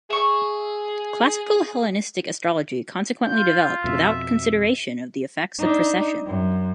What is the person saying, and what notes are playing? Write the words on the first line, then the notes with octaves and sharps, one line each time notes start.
Classical Hellenistic astrology consequently developed without consideration of the effects of precession.
G#4 E5 C#6
F4 G6
F2 B2 E5
D4 D#4
F#2